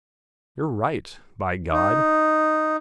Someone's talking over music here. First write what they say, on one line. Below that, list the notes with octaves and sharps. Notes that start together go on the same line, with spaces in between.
You're right, by God.
D#4